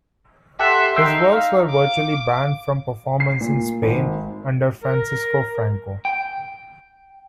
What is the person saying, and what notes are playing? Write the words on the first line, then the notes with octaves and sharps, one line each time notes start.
His works were virtually banned from performance in Spain under Francisco Franco.
G4 A4 E5 F#5 C6
D#4 E5 G5 C6
F5
D6
C7
A#2
G#1
A#4
G5